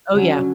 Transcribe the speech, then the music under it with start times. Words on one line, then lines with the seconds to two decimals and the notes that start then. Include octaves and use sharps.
Oh, yeah.
0.11 D3 F#3 C#4